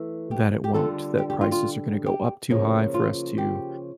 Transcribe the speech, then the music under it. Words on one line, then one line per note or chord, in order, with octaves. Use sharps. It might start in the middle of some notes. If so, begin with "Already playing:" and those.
that it won't, that prices are gonna go up too high for us to
Already playing: E3 A3
G4
G4
D3 G3 D4 F4 A4
G4
G4
F4
F4
G4
C#3 F3 A#3
F4
G4